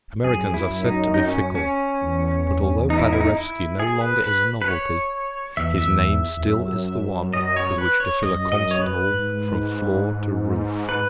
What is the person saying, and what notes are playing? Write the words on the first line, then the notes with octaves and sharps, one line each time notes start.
Americans are said to be fickle; but although Paderewski no longer is a novelty, his name still is the one with which to fill a concert hall from floor to roof.
F#2 G#4
E4
D#4
D#4
C#4
C#4
E2
D#4
E4
D#4
E4
D#4
E4
G#4
B4
B4
B4
C#5
E2 E5
E5
E2
F#2
D#5
C#5
B4
C#5
F#2 D#5
D#5
C#5
B4
G#2
B4